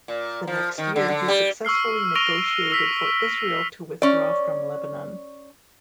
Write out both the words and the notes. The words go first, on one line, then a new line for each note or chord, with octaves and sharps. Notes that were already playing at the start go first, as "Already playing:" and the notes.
The next year he successfully negotiated for Israel to withdraw from Lebanon.
A#2
F3
D#3
D3
D3
G3
C#6 E6 F6 C7
C#6 A#6 D7 D#7 F7 G7
E6 B6
C#4 D5